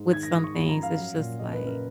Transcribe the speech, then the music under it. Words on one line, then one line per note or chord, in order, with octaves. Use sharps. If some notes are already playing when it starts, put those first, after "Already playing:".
with some things, it's just like
Already playing: G#2
D#3 G#6
A#6
G#2 D#6
C#6
F3 B5
A#5
F#2
F5
F#3
A#2
C#3 D#5
B4
F#2
A#4